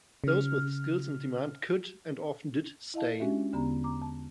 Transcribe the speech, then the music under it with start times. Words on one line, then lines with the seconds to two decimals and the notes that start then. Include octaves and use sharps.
Those with skills in demand could - and often did - stay.
0.24 C#3 F6
2.94 E4 D#5 F5 A5
3.19 G#3 C#4 D4 F#4 G4 E5
3.53 E2 D3 B3 G4 A#5
3.84 A#5 D6
4.02 A5